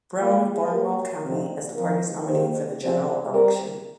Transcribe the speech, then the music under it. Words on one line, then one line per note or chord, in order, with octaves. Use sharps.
Brown of Barnwell County as the party's nominee for the general election.
G3 A#3 F4
A#3 G4 A#4
C3 F3 C4 D#4
F3 C4 F4 A#4
D#3 A#3 G4 C5
C3 F3 C4
G3 C4 G4 A#4